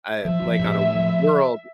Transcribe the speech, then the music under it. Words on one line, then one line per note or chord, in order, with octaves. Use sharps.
Uh, like, on a w world
F3 E5
F3
A2
A3
F3